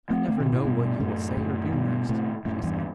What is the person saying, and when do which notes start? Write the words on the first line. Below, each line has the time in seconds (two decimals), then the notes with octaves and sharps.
"I never know what you will say or do next," she said.
0.10 A3 C4
0.28 A3 C4
0.40 B2 D3
0.52 A2 C3
0.65 G2 B2
1.00 F#2 A2
1.37 F#2 A2
1.73 G2 B2
2.09 A2 C3
2.45 F#2 A2
2.63 E2 G2